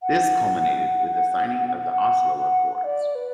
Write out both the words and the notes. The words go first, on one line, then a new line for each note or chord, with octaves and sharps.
This culminated with the signing of the Oslo Accords.
F#5
F#5
F#5
D5
B4